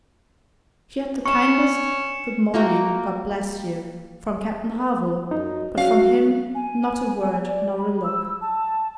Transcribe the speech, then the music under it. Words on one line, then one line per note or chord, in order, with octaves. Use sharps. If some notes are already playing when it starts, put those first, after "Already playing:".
She had the kindest "Good morning, God bless you!" from Captain Harville, but from him not a word, nor a look!
C#4 C#6 C#7 E7
A#3 F#4 A#4 G5
F#2 D#4
F#3 C#4 F#4 F5
G#5
D5
B5
E6
A5